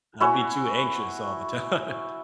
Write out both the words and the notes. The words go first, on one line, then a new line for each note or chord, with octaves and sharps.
I'd be too anxious all the time.
E4 F#4 C#5 G#5